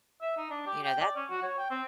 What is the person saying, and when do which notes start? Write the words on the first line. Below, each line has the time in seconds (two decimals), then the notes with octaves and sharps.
You know, that
0.21 E5
0.37 D#4
0.50 D4
0.66 G4
0.83 G5
1.01 D5
1.16 C#4
1.30 F#4
1.43 C#5
1.58 G5
1.70 C4